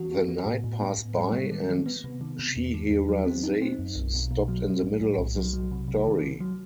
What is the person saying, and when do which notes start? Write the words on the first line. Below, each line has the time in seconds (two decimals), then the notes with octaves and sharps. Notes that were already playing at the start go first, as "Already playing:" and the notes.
The night passed by, and Scheherazade stopped in the middle of the story.
Already playing: E3 F#4
0.11 F#4
0.28 B3
0.46 A2
0.64 A2
0.81 B3
0.98 A2
1.17 G3
1.33 G3
1.51 D#3
1.69 D#3
1.86 B3
2.04 C3
2.21 D#3
2.39 C3
2.56 E2
2.74 D#3
2.91 E2
3.09 F#3
3.26 C4
3.43 D#4
3.61 C4
3.79 F#2
3.96 B1
4.14 B2
4.31 B2
4.48 F#3
4.66 F#3
4.84 A2
5.01 A2
5.18 B1
5.36 F#3
5.53 F#3
5.72 C3
5.88 C3
6.06 D#3
6.24 D#3
6.41 F#3